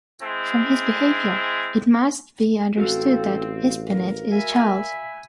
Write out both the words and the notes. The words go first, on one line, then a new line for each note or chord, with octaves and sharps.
From his behavior, it must be understood that Espinete is a child.
G#3 C4 E4
A1 C4 F#4 A4 F5
A#4
E5 G#5 B5